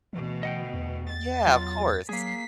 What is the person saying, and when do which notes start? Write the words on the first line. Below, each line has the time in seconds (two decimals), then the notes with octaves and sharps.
Yeah, of course.
0.13 D2 B2 E3
0.43 D#5 F#5 G5
0.74 E2
1.09 A6
1.47 F#3 F4
2.09 F#3 A#3 G#4 B6 C7